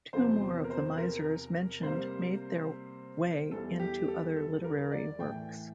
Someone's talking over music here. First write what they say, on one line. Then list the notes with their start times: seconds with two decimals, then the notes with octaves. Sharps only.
Two more of the misers mentioned made their way into other literary works.
0.13 E2 C3 F3 C5
0.42 C5
0.64 A#4
0.70 C5
0.98 A#4
1.82 C3 G3 A#3 C5
3.51 E2 E3 G3 A4
3.79 G4
4.08 A4
4.36 A4
4.64 A#4
4.92 D5
5.20 A2 E3 A3 G5